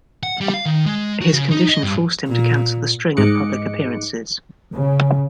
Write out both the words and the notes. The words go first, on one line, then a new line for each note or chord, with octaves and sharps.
His condition forced him to cancel a string of public appearances.
F#5
G3
F5
D#3
G#3
F#4
C#3
D#4
D#5
G2
A#2
G#2 G#3 D#5 D6 F#6 C#7
C#3